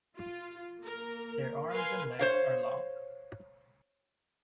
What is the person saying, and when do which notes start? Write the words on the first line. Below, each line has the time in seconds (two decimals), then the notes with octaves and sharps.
Their arms and legs are long.
0.18 F4
0.81 A#3 A#4
1.73 A#4 B4 F5 G#5 C6
2.19 C5 C#5 F5